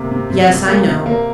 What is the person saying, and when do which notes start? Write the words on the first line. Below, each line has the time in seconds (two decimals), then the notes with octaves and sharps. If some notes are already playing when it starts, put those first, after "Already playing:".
"Yes; I know."
Already playing: C3 A#3 D6
0.11 C3
0.30 C3
0.49 C3
0.68 A#3
0.87 C3
1.06 A#3